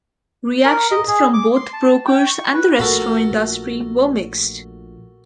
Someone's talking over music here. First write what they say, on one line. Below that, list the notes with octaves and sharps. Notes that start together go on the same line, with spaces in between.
Reactions from both brokers and the restaurant industry were mixed.
A#4
D#5
G#4
D6
C6
A5
G5
C#6
B4
A#1 A#2 A3 F#4 A4 A#4